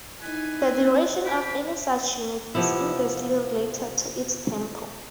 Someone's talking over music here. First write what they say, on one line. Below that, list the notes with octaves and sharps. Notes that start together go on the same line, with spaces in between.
The duration of any such unit is inversely related to its tempo.
D#4 E4 G#4 B4 G#5
G4 C5 B5
C3 F3 B3 E4